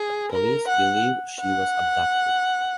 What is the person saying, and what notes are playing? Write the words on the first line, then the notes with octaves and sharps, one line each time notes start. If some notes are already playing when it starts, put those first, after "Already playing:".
Police believe she was abducted.
Already playing: G#4
A#4
F#5
F#5